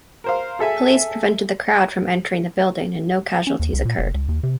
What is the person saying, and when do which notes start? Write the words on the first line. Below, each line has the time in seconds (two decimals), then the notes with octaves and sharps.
Police prevented the crowd from entering the building and no casualties occurred.
0.24 A#4 C5 F5
0.59 G#4 A4 E5 G#5
3.47 C#4
3.60 D#2
3.73 C2
3.85 A#2
3.99 F1
4.14 C#2
4.29 D#2
4.43 C3